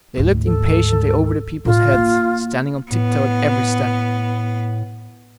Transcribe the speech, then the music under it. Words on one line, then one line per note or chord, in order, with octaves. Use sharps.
They looked impatiently over the people's heads, standing on tip-toe at every step.
D2 G#2
A4
A2 F4
A#3
A2 B3